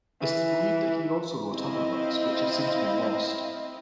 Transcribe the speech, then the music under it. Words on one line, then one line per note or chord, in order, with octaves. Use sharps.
It is believed that he also wrote other works which have since been lost.
E3
C4 E4 D#5 F5